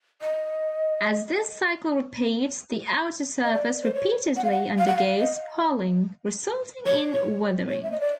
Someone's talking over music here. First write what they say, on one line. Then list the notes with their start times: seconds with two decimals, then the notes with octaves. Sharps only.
As this cycle repeats the outer surface repeatedly undergoes spalling, resulting in weathering.
0.22 D#5
3.44 D#5
3.53 D5
3.83 C5
3.94 C#5
4.37 F#5
4.44 F5
4.51 F#5
4.78 F5
4.87 F#5
4.97 F5
5.19 D#5
6.86 C#5
7.13 C#5
7.69 C#5
7.83 E5
7.91 D#5
8.00 D5